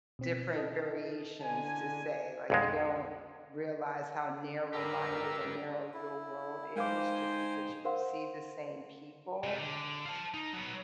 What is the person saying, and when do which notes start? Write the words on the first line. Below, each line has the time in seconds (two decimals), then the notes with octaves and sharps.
different variations, to say. Like, you don't realize how narrow-minded or narrow your world is just because you see the same people.
0.19 B2 C4 B6
0.55 E4 A4 D#5
1.41 D3 D4 G#5
2.50 B1 F2 G#3
4.73 G4 A#4 B4 D#5 A#5 E6
5.94 E4
6.76 G#3 D#4 C5 F5 G5 G#5 D6
7.85 A#4 C5 F5 F#5 C6
9.44 C3 A3
9.59 D3
10.06 F5 A5
10.34 D#4
10.54 F#3 B3